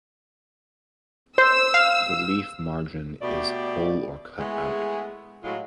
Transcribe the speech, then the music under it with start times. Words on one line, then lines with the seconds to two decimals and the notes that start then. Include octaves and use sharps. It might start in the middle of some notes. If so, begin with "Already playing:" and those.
The leaf margin is whole or cut out.
1.38 C5 E6
1.74 F5
3.21 B2 A3 G4 D5
4.39 G#3 A3 B3 E4 G#4
5.43 A2 F#3 G#3 F4